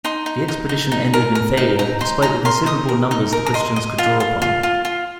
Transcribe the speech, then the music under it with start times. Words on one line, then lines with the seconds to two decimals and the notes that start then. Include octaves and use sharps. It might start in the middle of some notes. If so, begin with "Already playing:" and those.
The expedition ended in failure, despite the considerable numbers the Christians could draw upon.
0.05 D#4 C6
0.26 D#4
0.48 D#4
0.69 D#4
0.92 D#4
1.14 A#4
1.35 A#4
1.57 D#4
1.79 D#4 A#5
2.01 D#4 C6
2.22 D#4 A#5
2.45 A#4 C6
2.66 D#4 D#6
2.89 A#4
3.11 D#4
3.32 A#4
3.46 A#5
3.54 D#5 C6
3.76 D#5
3.98 F4
4.20 F4
4.42 F4
4.63 F4
4.85 F4